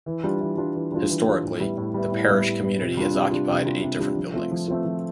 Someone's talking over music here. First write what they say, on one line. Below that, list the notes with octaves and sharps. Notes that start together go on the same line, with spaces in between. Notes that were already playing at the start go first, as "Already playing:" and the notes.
Historically, the parish community has occupied eight different buildings.
E3
G3 D4 F4
E3
G3 D4 F4
E3
G3 D4 F4
E3
G3 D4 F4
A2
G3 B3 E4
A2
G3 B3 E4
A2
G3 B3 E4
A2
G3 B3 E4
C3
G3 D4 F4
C3
G3 D4 F4
C3
G3 D4 F4
C3
G3 D4 F4
F3
A3 C4 F4
F3
A3 C4 F4
F3